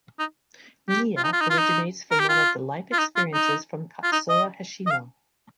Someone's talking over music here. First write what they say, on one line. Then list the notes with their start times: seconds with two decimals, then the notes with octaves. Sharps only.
Nea originates from one of the life experiences from Katsura Hoshino.
0.19 D#4
0.89 G4
1.17 F4
1.24 D#4
1.33 F4
1.41 D#4
1.50 F4
1.58 D#4
2.11 A#4
2.20 G4
2.29 F4
2.93 F4
2.99 D#4
3.16 F4
3.34 D#4
4.03 F4
4.12 D#4
4.29 D#5
4.87 D#5
4.91 F5